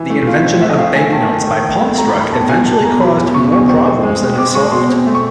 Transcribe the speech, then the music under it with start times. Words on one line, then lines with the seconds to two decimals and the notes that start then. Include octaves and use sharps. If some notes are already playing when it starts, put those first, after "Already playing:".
The invention of banknotes by Palmstruch eventually caused more problems than it solved.
Already playing: E3
0.10 A3
0.27 F4
0.44 C4
0.60 A3 E5
0.70 D#5
0.78 C4 F5
0.95 A3 G#5
1.12 D#3 A5
1.29 A3
1.47 D#3
1.64 D#3
1.80 A3
1.98 A3 A#5
2.09 B5
2.14 D#3
2.21 B5
2.32 E2 A5
2.49 B2 G#5
2.67 B2 A5
2.83 E2 A#5
3.01 F#3 B5
3.17 E2
3.34 B2 C#6
3.52 E2 C#6
3.69 C4 C#6
3.86 C4
4.03 G#3
4.21 G#3
4.38 C4 D6
4.55 G#3 C#6
4.71 B2 C6
4.89 C4
5.06 A3
5.15 C#6